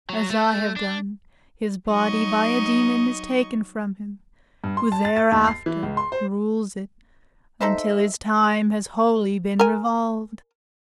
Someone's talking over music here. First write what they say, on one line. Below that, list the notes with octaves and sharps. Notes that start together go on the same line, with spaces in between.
As I have done, his body by a demon Is taken from him, who thereafter rules it, Until his time has wholly been revolved.
F#3
A3
D4
F#3 D#4 D#5 C#6
G2
C6
A5
A6
A6
D#2
C7
E3
C#2
C6
C5
D#4 A4 C5 E5
A#4 G#5